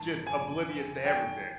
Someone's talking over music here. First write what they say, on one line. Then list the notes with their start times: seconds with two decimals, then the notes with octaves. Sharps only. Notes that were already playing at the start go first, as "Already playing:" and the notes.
just oblivious to everything.
Already playing: A1 G2 D#3 A5
0.26 G#1 F#2 D3 F3 G#5
0.66 F1 F2 D3
1.05 F#2 D#3 F#3 G5